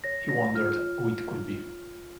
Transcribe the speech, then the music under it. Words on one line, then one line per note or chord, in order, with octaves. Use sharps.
He wondered who it could be.
C#5 A#6
C#5 A#6
F4 F6
C#5